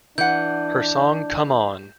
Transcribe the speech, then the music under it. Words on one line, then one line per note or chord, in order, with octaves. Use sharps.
Her song Come On!
E3 D4 F#5 G6